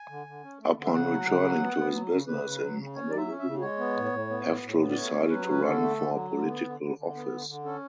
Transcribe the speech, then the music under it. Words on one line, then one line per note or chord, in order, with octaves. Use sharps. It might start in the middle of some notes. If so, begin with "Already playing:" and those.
Upon returning to his business in Honolulu, Heftel decided to run for political office.
Already playing: G#5
D3
D3
C#4
A3
D3
E5
C#3 F#5
F#3
C#3
F#3
B3
B3
F#3
C#3
C#3 B4
C#3
F#3
C#3
C#4 C#5
F#3 D5
E5
C#4
E5
C#3
G#3 C#5
B3
A2
A2
B3
A2
A2
B3
D5
A3 C#5
C#4
F#3 B4
C#4 B4
D3 A4
A3
D3
F#3
D3
B3
D3
D3
D3
B3
D3
D3
C#4 A4